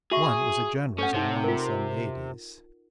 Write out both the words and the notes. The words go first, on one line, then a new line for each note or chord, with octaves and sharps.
One was a general's and one some lady's.
F#4 G#4 E5 C#6
C#4 A4 C#5 F#5
C3 D#4 C#5
F4 A#4